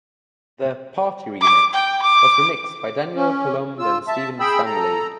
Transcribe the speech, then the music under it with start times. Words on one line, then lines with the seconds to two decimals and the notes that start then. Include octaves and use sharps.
The 'Party Remix' was remixed by Daniel Coulombe and Steven Stanley.
1.41 D6
1.74 G5
2.02 D6
3.16 C#4
3.79 F4 E6
4.08 E5 A5
4.40 G#4 G5 B5 E6
4.65 A4 A#5